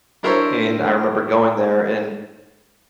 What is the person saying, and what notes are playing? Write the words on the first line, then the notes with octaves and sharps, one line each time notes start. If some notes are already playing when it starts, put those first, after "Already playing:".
and I remember going there, and,
D4 E4 A#4 C5 C#5 E5